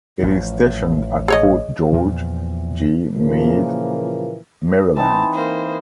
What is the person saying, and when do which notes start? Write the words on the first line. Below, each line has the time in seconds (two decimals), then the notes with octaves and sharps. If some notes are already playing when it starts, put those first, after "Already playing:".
It is stationed at Fort George G. Meade, Maryland.
0.23 A1 F3
1.28 G#4 C#5 D#5
1.92 E2 A#2 F3
3.17 A#2 C#3 E3 F3 A#3
4.97 E3 C4 D#4 A5
5.34 A#3 C5